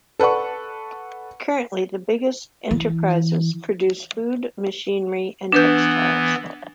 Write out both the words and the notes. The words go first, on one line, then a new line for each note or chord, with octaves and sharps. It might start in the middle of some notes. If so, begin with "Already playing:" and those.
Currently, the biggest enterprises produce food, machinery, and textiles.
A4 B4 D5 F#5 C#6
E3
E3 B3 D4 B4 G6